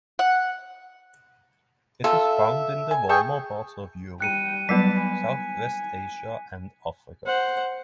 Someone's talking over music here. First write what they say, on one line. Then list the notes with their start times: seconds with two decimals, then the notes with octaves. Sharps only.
It is found in the warmer parts of Europe, southwest Asia and Africa.
0.19 F#5
2.04 F4 A4 E5
2.91 G#5
3.09 G#4 A4 G5 C#6
4.20 G3 G5 F#6 C#7 D#7
4.69 F#3 G3 B3 B4 A5 B6
5.04 G#5
7.26 C5 F#5